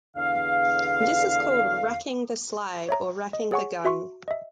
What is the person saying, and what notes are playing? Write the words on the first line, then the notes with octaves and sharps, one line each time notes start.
This is called racking the slide or racking the gun.
E2 D3 F5
C#5 E5 A#5
D#5
G#4 C#5 F#5 G#5 C#6
F#4 E5 C6 C#6
D#5 E5